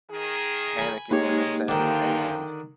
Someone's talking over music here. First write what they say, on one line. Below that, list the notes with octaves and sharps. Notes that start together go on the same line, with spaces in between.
panicking in a sense, and,
D#3 G#4
G#5 B5
D#3 G#3 A#3 D#4 G4 C#5
F#2 D3 D#3 F3 G5